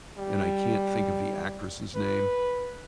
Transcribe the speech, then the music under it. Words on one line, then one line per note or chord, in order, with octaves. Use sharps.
and I can't think of the actress' name
G3
B4